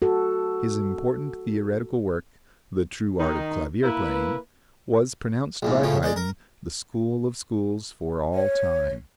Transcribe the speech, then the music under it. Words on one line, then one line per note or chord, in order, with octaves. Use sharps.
His important theoretical work, "The True Art of Clavier Playing," was pronounced by Haydn the school of schools for all time.
F#4 A4
D#3 D#4
A#3 E4 B4
A#1 E2 G#2
A2 C#3 F3
G#3 D5
A#4
C#5